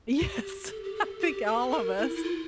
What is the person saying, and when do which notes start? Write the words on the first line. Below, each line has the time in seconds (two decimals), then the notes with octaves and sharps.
Yes, I think all of us,
0.19 G4
0.44 G4
0.70 A4
0.84 G4
0.96 A4
1.21 G4
1.47 A4
1.72 A#4
1.98 E4
2.15 E4
2.24 F4